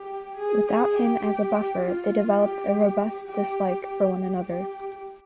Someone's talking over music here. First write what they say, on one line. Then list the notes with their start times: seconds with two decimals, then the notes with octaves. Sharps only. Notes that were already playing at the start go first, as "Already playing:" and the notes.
Without him as a buffer, they developed a robust dislike for one another.
Already playing: G4
0.37 G#4
0.66 G#4
0.95 G4
1.81 F4
2.39 G4
3.26 G4
3.84 G4
4.42 G4